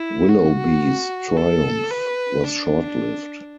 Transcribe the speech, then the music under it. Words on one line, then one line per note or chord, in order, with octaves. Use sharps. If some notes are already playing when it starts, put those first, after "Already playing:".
Willoughby's triumph was short-lived.
Already playing: E4
F#4
A4
B4
D4